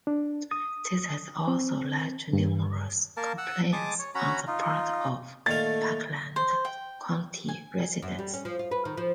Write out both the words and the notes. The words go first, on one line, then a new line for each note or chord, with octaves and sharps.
This has also led to numerous complaints on the part of Parkland County residents.
D4
D#6
C4
G2
A#3 A#4 A5
F#5 E6
G#3 A5 D6 D#6
C#5
C#4 F#4 A#5 B5
D#4 F4
A#2 D#3 A3 F5 A6
C5
G5
G#5
F#2
G3
C#4
F3
F4
B4
D#3
F3